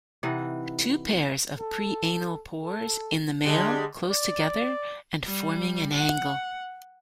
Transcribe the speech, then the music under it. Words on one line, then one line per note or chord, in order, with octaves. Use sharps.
Two pairs of preanal pores in the male, close together, and forming an angle.
C3 E3 D#4 F#5
A4
A4
D3 G3 G#3 D4
D5
G3
F#5